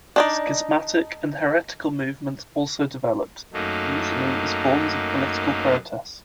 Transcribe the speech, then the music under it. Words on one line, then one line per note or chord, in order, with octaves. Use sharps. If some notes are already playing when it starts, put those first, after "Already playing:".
Schismatic and heretical movements also developed, usually as forms of political protest.
D4 D#4 D5
F#2 F#3 A3 A#3 D#4